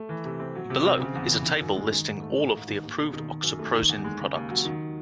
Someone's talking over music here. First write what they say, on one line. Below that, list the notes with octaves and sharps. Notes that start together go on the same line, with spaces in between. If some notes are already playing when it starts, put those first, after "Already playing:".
Below is a table listing all of the approved oxaprozin products.
Already playing: A3
E3
C3
C4
F#3
C3
C4
C#3
E2
E3
D#3
F#2
G#3
D#3
G#2
A3
G#2
A1
D#3
D#2
E1
D#3
D#3
F#2
A3
D#3
E2
G#3
C#3
D#2
F#3
D#3